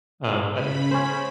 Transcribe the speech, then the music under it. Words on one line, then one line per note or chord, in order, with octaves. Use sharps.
um, I think,
C#3 B5
C#4 C5